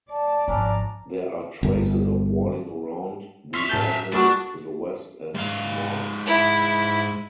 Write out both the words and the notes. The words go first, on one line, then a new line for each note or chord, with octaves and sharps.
There are traces of walling around the edges to the west and north.
D5 A5
G#1 F3 C#4 D4 A#5
G1
E5 F5 C6 C#6
F#2 A2 A5 G6
C#2 G3 A#3 D4 F#4
G#2 F5
E4